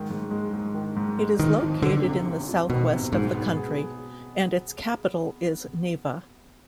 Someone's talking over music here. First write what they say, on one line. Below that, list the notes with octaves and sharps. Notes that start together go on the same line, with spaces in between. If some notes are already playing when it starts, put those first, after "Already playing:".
It is located in the southwest of the country, and its capital is Neiva.
Already playing: G#2 D#3
G#2
G#3
G#2
D#3
G#2
G#3
G1 D#3
F2
D3 D#3
C3
G1
F2
B2 D#3
C3
G#2 B2
B3
G#4